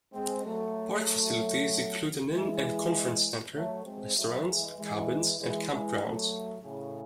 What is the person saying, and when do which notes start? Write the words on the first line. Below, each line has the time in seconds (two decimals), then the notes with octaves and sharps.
Park facilities include an inn and conference center, restaurant, cabins, and campgrounds.
0.13 G#3 C4
0.44 F#3 A3
2.30 E3 G#3
3.53 F#3 A3
3.85 G#3 C4
4.16 F#3 A3
4.46 E3 G#3
4.77 E3 G#3
5.40 E3 G#3
5.70 E3 G#3
6.02 F#3 A3
6.63 A2 C#3